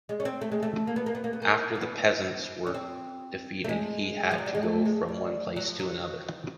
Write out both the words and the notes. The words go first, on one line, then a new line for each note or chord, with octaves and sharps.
After the peasants were defeated, he had to go from one place to another.
G#3
C#4
C4
A3
G#3
A3
A#3
B3
A#3
B3
A#3
B3
A#3
A#3
B3
C#4
C4
A3
G#3
F3
F#3
G3
G#3
A3
G#3
G3
F#3
F3
F#3